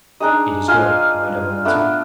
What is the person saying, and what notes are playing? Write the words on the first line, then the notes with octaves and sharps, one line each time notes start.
"It is good," my double answered.
D4 D#4 G#4 D#5
F4 F5 G#5 C6
A3 B3 D4